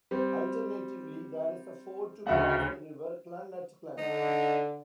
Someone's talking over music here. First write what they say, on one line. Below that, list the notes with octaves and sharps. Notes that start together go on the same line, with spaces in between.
Alternatively, there is a ford to cross the River Clun at Clun.
G3 C4
D2 C#3 F#4 E5 F#5
D3 D#4